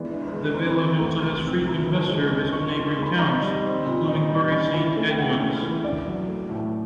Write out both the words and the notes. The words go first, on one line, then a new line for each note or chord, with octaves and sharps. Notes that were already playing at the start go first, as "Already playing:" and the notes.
The village also has frequent bus service to neighbouring towns, including Bury Saint Edmunds.
Already playing: E3 G#3 B3 D4
D4
G#3
C4 A#5
E3 C#6
A3
C3 C6
C4
E3
D#3
G#3
C#4
D#3 C#6
C6
D#3
C6
G#3
B5
D#4 A#5
G3
C4
A#2
D#4
G3
C#4 B5
E3
A3
G5
C#3 F#5
C#4
E3
D4 D5
F#3
A3
A2